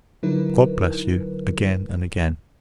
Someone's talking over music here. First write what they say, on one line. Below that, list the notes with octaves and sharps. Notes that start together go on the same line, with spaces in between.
God bless you, again and again!
D3 F#3 D#4 E4 A#4 B4